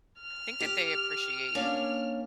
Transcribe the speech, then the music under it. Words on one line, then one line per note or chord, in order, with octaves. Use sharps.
think that they appreciate
F6
G4
A#3 C#4 D4